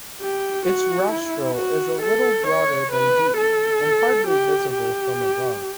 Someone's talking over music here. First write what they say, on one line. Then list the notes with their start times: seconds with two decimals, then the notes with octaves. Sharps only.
Its rostral is a little broader than deep and hardly visible from above.
0.21 G4
0.66 F#4
1.11 E4
1.56 F#4
2.02 A4
2.47 C#5
2.92 B4
3.37 A4
4.27 G4
4.73 G4